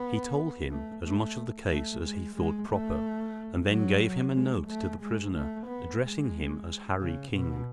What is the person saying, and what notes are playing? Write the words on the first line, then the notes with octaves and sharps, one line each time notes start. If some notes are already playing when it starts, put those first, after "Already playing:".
He told him as much of the case as he thought proper, and then gave him a note to the prisoner, addressing him as Harry King.
Already playing: B3
A3
A3
A3
G#3
G#3
A3
F#3
G#3
A3
G#3
A3
B3
G#3
C#3
B2